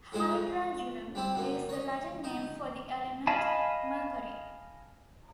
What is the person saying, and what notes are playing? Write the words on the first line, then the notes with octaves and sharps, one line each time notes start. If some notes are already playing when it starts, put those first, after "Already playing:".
"Hydrargyrum" is the Latin name for the element mercury.
F2 G#3 E4 F4 G#5
F2
G3 C4 E4
F#2 A#3
C#5 D#5
D#4
D#5 F5 G#5 A5 B5